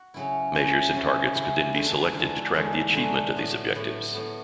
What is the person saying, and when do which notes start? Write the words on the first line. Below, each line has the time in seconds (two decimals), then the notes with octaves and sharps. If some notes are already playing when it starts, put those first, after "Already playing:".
Measures and targets could then be selected to track the achievement of these objectives.
Already playing: F#4
0.14 C#3 F#3 C#4 E4
0.55 C#3 F#3 C#4 E4
0.94 C#3 F#3 C#4 E4
1.34 C#3 F#3 C#4 E4
1.74 E2 D3 G#3 D4 F#4
2.14 E2 D3 G#3 D4 F#4
2.54 E2 D3 G#3 D4 F#4
2.92 E2 D3 G#3 D4 F#4
3.35 A2 F#3 B3
3.75 A2 F#3 B3
4.14 A2 F#3 B3